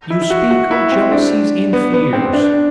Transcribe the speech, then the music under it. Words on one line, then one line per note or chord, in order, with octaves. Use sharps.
You speak of jealousies and fears.
E4
E4
F#4
F#4
E4
C4
D4
B3
B3
C4
C4
D4